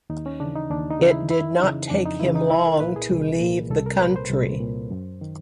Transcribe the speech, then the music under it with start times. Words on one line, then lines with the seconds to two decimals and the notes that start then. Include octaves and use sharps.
It did not take him long to leave the country.
0.10 D#2 D#4
0.26 C#4
0.40 C#3 E3 D4
0.56 D#4
0.71 D#2 D4
0.91 D#4
1.00 C#3 E3
1.11 E4
1.30 F2 E4
1.60 C#3 E3 D#4
1.90 F2 D4
2.06 D#4
2.20 C#3 E3 E4
2.35 D#4
2.50 C2 E4
2.66 A#4
2.80 A#2 B4
2.96 G#4
3.10 C2
3.41 A#2
3.71 C2 A4
3.86 A#4
4.01 A#2 B4
4.16 C5
4.30 C2
4.60 A#2
4.91 F#2
5.21 D#3